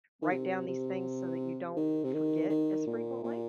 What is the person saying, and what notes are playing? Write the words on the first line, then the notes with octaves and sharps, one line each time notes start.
write down these things so that you don't forget as frequently?
D#3
C3
C3
D#3
C3
D#3
D#3
A#2
A#2